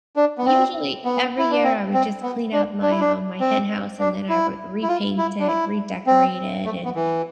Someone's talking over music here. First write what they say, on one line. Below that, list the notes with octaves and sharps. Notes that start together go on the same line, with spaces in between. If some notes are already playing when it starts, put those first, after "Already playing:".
usually, every year, I would just clean out my, um, my hen house, and then I would repaint it, redecorate it, and
D4
B3
C4
B3
E4
D4
C4
C4
B3
D4
D4
E4
D4
C4
D4
E4
E4
F4
E4
D4
E4
C4
A3
B3
E3